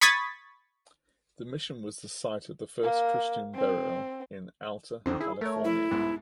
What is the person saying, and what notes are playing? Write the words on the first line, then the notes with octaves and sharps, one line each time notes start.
The mission was the site of the first Christian burial in Alta California.
B5 C#6 D#6 G#6 A6 B6
A#3
C4
F2 D3 D#3 C4
E4 G#4
A3 A#4 C#5
E4
C2 G#2 B3